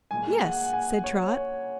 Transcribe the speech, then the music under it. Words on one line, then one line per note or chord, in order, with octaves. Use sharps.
"Yes," said Trot.
A#2 G#3 G#5
F#5
G#5
C#5